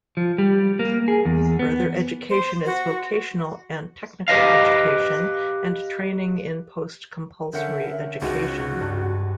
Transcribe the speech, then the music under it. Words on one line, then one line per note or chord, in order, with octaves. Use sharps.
Further education is vocational and technical education and training in post-compulsory education.
F3
G3
A#3
G#4
E2
B3
C5
F#4
G4 B4 D#5 F5
D3 C#4 A#4 E5 F#5 G6 C#7
C#2 G#2 F#4
G2